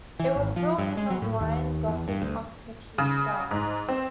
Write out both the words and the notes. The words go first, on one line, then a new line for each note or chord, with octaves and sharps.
It was built in the Hawaiian Gothic architectural style.
E3
G#1
F3
G2
G#3
F#3
A2
D#2
E2
G2
D2
C#3
G#2
C4